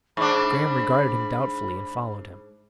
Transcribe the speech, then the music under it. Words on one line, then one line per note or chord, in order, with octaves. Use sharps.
Graham regarded him doubtfully and followed him.
G#2 D4 B5